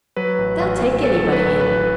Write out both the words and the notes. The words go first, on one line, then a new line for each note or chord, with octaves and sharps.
They'll take anybody in.
F#3 B4
A1
A1
A1
A2 A4
F#3
B4
A1
B4
A1